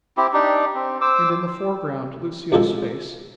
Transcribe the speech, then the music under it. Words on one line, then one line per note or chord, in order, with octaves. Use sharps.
And in the foreground Lucille's face.
C4 E4 G4
D4 D#4 G4
C4
C5 D6 E6
C2 F#2 F3 G#3 A4